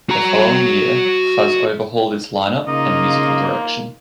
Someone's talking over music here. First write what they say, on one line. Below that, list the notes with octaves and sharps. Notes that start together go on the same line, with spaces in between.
The following year, Phuz overhauled its lineup and musical direction.
F#4 A#5
C#3 A#3 D#4 F4 D#5